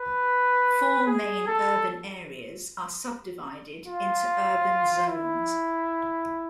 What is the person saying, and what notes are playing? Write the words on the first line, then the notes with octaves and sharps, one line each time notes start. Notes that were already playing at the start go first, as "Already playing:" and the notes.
Four main urban areas are subdivided into urban zones.
Already playing: B4
G#4
A4
F4
E4